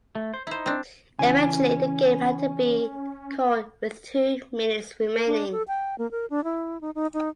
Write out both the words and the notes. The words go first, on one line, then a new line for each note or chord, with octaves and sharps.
Eventually the game had to be called with two minutes remaining.
A3
C5
D#4 E4 C5
C4 D4
C#3 E3 C#4 G#5
A#4
D4
A4
G5
A#3
A#4
D4
E4
D#4
D#4
D#4